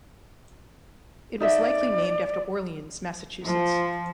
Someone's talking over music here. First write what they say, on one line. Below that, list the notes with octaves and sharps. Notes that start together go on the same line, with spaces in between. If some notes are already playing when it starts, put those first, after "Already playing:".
It was likely named after Orleans, Massachusetts.
D#4 A4 D5 E5
F3